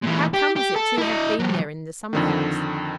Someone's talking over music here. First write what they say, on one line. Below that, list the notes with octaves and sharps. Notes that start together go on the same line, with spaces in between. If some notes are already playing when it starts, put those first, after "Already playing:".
How comes it to have been there in the summer-house?
A#2 E3
G4
G4
A4
E4 D#5
E3 F#3
F2 D3 D#3